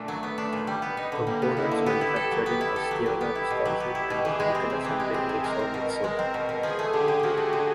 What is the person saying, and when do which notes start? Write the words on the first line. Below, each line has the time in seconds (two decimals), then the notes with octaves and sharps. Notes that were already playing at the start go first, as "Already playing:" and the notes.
Components manufactured in Osceola, Wisconsin and the vehicle assembly in Roseau, Minnesota.
Already playing: A#2 A3 D4
0.08 F#3
0.23 B3
0.38 D4
0.53 A#2
0.67 G3
0.82 B3
0.97 D#4
1.12 D3
1.27 G3 A#3
1.42 B3
1.57 D#4 E4
1.71 D3
1.86 B3 G4
2.01 E4
2.16 A4
2.31 F#3
2.46 B3
2.61 E4
2.76 A4
2.91 F#3
3.06 F#3
3.21 B3
3.35 E4
3.50 B2
3.65 F#3
3.80 B3
3.95 E4
4.10 B2
4.25 E3 G#4
4.40 G#3
4.55 C4
4.70 C3
4.85 E3
5.00 G#3
5.14 C4
5.29 C3
5.44 G#3 A#4
5.59 C4
5.74 B2
5.89 B2
6.04 G#3
6.19 C4
6.34 B2
6.49 B2
6.63 F3 G#4
6.79 A3
6.93 D3 G4
7.08 D3
7.23 F3 F#4
7.37 A3
7.53 D3